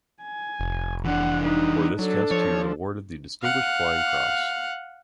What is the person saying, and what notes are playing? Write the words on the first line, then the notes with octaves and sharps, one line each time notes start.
For this test he was awarded the Distinguished Flying Cross.
G#5
F1
E3 D4 F#5
D#4 B4
F#3 D4 A4
F3 C#5
F5 F#5